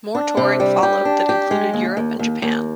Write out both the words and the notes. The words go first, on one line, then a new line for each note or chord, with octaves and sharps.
More touring followed that included Europe and Japan.
D4
C3
G3
G4
D4
G4
G#3
D#2
D#2
D#2
D#2